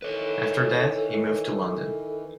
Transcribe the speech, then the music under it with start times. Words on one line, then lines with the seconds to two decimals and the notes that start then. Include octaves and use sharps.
After that, he moved to London.
0.02 D#3 E3 A4 B4 C#5